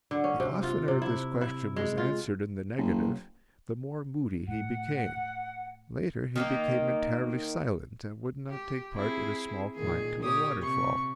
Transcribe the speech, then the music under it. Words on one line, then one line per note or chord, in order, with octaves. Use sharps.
The oftener this question was answered in the negative, the more moody he became; later he became entirely silent and would not take part in a small climb to a waterfall.
D3
C#4
C3
F4
C3
E4
E4
G#3
F4
F#1
A2 F#5
D#3 A#3 D#4
G4
C4 E4 G#4
A#2 D#3 G#4
A#2 G4 C#5 D#6
C3 C#6